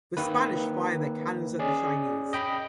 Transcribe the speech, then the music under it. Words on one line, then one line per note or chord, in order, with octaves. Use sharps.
The Spanish fire their cannons at the Chinese.
D#3 A#3 B4
C#4 G#4 D5 D#5
D#5 G5 B5